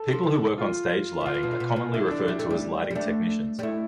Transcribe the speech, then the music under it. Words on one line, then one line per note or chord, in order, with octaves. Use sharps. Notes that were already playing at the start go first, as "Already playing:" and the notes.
People who work on stage lighting are commonly referred to as lighting technicians.
Already playing: A4
F3
E3
D3
F4
E3
D3 F4
E3
B2
D3
B2
B2
D3 E4
D4
G3 E4
A3
G3
G3
A3 D4
G3
A3 E4